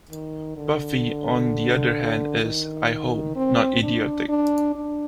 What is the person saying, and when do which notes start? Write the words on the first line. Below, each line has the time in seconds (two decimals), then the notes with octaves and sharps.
Buffy, on the other hand is, I hope, not idiotic.
0.11 D#3
0.57 D3
2.42 D#3
3.36 C4
3.83 D4
4.29 D4
4.75 D4